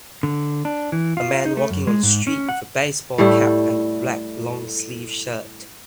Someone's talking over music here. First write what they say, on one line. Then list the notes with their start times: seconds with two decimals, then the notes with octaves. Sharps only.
A man walking on the street with a baseball cap and black longsleeve shirt.
0.23 D3
0.65 D4
0.92 E3
1.17 F4
1.45 D#4
1.57 A3
1.71 F#2
1.87 G#3
2.03 G#2
2.27 C#4
2.49 F#5
3.18 A2 G3 A3 E4